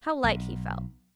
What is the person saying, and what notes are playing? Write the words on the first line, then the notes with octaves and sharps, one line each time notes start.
How light he felt!
B1